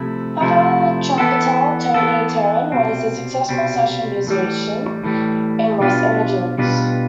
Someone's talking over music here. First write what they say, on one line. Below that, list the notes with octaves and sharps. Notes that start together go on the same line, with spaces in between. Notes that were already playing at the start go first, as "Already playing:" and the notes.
Her father, trumpeter Tony Terran, was a successful session musician in Los Angeles.
Already playing: C3 F3 A3 E4
C3 F3 A3 E4
E3 B3 E4 A4
E3 B3 E4 A4
C2 B2 G3 C4
C2 B2 G3 C4
A2 E3 G3
A2 E3 G3
B2 G3 D4 F4 B4
B2 G3 D4 F4 B4